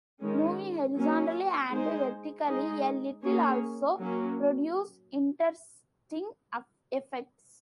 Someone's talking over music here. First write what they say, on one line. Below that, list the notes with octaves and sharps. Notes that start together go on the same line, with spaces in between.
Moving horizontally and vertically a little also produces interesting effects.
D#3 G#3 C#4
F#3 A#3 C#4
G#3 D#4 G#4 C5
G#3 D#4 G#4 D#5
A#3 C#4 G#4 C#5
F#3 A#3 C#4